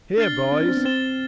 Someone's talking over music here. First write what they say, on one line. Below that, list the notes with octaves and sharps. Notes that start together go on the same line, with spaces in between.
Here, boys!
D4 F6 A6 C7 G7
C4
D4
C4
B3
C4 A6 E7 G7